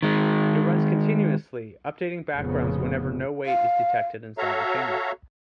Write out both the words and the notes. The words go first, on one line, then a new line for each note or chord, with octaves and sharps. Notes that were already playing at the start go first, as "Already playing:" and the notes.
It runs continuously, updating backgrounds whenever no weight is detected inside the chamber.
D#3 G#3
F1 A#2 C#3 F3 B3
F5
F#4 A4 C#5 E5 F5 A#5